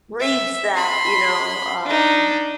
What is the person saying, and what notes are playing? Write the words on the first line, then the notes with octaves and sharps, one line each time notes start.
Reads that, you know, um
E5
B5 C6
D4 D#4